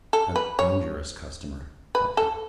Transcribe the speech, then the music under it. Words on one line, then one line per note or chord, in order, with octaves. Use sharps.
"A dangerous customer," thought he.
A4
B4
C#5
B4
A4